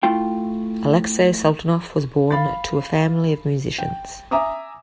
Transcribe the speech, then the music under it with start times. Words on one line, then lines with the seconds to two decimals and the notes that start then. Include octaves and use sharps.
Alexei Sultanov was born to a family of musicians.
0.03 A3 E4 F4 G5
2.31 F5 B5 A6
3.78 G5
4.31 E5 G#5 A#5 D6 D#6